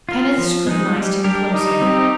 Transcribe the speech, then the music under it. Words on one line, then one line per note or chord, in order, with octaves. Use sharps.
Kenneth scrutinized him closely.
F4 A#4
F3
G#3 D#4 G#4
G3
D4 G4 A#4
G3 D#4
C4 G4